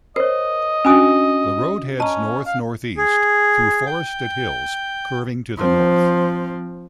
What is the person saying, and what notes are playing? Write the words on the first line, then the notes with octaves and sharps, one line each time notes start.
The road heads north-northeast through forested hills, curving to the north.
A#4 C5 C#5 D#5
C#4 D4 F#4 G#5 D#6
C#4 D#5 A5 A#5
F5
G#4
G5
F3 C4